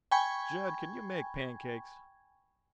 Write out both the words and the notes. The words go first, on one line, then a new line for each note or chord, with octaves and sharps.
"Jud, can you make pancakes?"
G5 G#5 B5 C#6 G#6